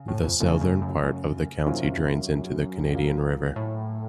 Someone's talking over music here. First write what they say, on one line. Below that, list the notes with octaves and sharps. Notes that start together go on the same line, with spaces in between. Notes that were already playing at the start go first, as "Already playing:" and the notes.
The southern part of the county drains into the Canadian River.
Already playing: C#3
A2
F2
F2 C#3 A3 D#4 A4
F2
F#2
F#2
F#2 C3 D#3 A#3 C#4 F4
A#2 F#3 A#3
A2